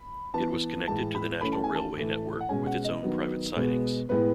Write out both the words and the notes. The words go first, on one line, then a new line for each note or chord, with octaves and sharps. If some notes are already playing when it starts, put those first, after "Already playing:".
It was connected to the national railway network, with its own private sidings.
Already playing: B5
E3 B3 A5
A2 E3 G#3 A5
B5
E3 A3 C#4 B5
A5
G#5
A5
A2 E3 A3
F#5
B2 G#3 C#4 G#5
F#5
D#5
D#3 F#3 B3
B2 G#3 B3
A2 G#3 B3 B4